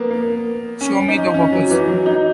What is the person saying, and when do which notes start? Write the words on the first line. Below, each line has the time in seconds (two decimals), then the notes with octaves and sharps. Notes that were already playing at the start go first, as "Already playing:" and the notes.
Show me the workers.
Already playing: A#3 B3
0.10 A#3
0.81 C#4
1.08 D#4
1.34 C#4
1.52 F#3
1.71 E3
1.88 F#3
2.06 D#4